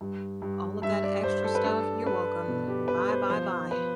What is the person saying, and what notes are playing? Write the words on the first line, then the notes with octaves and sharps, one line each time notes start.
All of that extra stuff? You're welcome. Bye, bye, bye.
G2
G2
G2 E5
D5
G2 C5
A4
B4
D4 A4
D4 B4
B2
G4
B2 B4
C5
F3 C5
B4